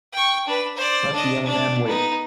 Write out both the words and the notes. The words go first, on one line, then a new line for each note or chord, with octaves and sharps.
Let the young man wait.
G5 C#6
D4 B4
C5 D5
D4 D#5
D4 D5
B3 D#4